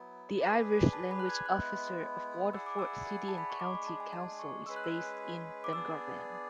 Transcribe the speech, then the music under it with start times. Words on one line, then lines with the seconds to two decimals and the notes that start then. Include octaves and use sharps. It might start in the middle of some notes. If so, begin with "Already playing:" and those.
The Irish Language Officer of Waterford City and County Council is based in Dungarvan.
Already playing: F#3 B3 E4
0.39 D4 G#4 B4
0.93 A5
1.11 B5
1.19 F#6
1.29 G#6
1.46 G#3 B3 E4 F#6
2.53 E4 G#4 D5 F#5 E6
2.66 D6
2.79 E6
3.28 A5
3.38 B5
3.50 C#6
3.60 G#3 D4 G#4 D6
3.74 B5
3.87 A5
4.00 G#5
4.13 A5
4.40 C#6
4.66 G#3 C#4 G#4 B4 E6
4.76 F#6
4.84 E6
5.64 D6
5.73 B3 D4 G#4 D5 E6